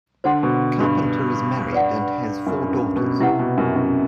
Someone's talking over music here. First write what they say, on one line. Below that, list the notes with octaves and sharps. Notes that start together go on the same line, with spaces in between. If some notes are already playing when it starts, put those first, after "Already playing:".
Carpenter is married and has four daughters.
D3 C5 F#5 C6
B2
G2
B4 D5 F#5
F#2
G2
B2
C3 E4 G4 B4 F#5
B2
F#2
F#2